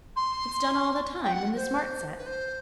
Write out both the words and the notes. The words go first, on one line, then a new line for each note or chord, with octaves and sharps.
"It's done all the time in the smart set."
C6
G5
F#5
C5
B4
C5